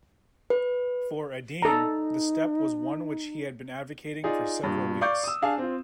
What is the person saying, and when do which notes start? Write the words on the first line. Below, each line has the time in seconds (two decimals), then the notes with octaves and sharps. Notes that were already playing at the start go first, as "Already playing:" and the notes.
For Adeang, the step was one which he had been advocating for several weeks.
0.50 B4
1.62 D#4 A4 A#5
4.24 D#4 F4 G#4 D5
4.63 G2 A#2
5.01 D5 F5 C#6 D6 G6
5.23 D#6 E6
5.42 D4 G#4 F5 G#5 A5
5.58 C4 F4